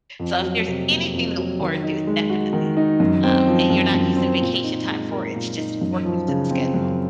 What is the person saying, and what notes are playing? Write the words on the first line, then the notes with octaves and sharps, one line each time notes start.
So, if there's anything to look forward to, it's definitely, um and you're not using vacation time for it, it's just worked into the schedule.
F2
F#3
C3
A#3
F2
F#3
D#3
D#4
G#3
F#4
D#3
D#4
F#2
C4
F3
F#2
F#2
C4
A#2
D#4
G#3
A#4
A#2
D#4
F#2
F3
C#3
C4
F#2